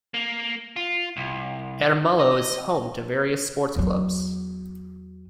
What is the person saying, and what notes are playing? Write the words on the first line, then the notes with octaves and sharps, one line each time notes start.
Ermelo is home to various sports clubs.
A#3
F4
C2
D#5
E2 F#3